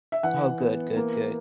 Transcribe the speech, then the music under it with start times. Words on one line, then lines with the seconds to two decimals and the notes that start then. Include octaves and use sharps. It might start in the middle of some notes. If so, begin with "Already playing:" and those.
Oh, good, good, good.
0.12 E5
0.23 E3 F#5
0.60 B3
0.96 A#3